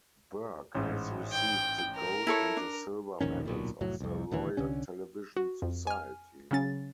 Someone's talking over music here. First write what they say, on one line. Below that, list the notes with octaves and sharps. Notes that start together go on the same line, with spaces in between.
Burke has received the gold and the silver medals of the Royal Television Society.
A1 G#2
G5
A#4
E4 A4 C#5
D4
E1 A#1 D#3 C#4
D1 B1 A#2
F1 A2 F#3
C2 F2
D#1 D2 E3
C2 D3 C#4
F#4
F2
G#5 F6
C#3 F#3 C#4 A6